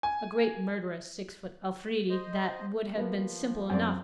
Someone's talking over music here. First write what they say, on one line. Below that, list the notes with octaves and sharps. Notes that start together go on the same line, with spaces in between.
A great, murderous, six-foot Afridi--that would have been simple enough.
G#5
C5 D#5
F3 A#3 B3
F#2 C4 D5